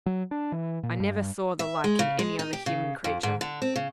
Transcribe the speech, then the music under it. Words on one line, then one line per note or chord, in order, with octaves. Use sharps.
I never saw the like in any other human creature.
F#3
D4
E3
A#2
G2
E5
G#3
C#3
G#3
D#4
G4
C#3
F2
G#2
D3
C4
C#3